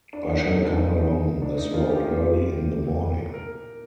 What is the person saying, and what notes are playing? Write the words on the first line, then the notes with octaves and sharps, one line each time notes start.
I shall come along this road early in the morning.
D4
D#4
D4
D#4
D4
D#4
F4
G4
F4
G4
A#4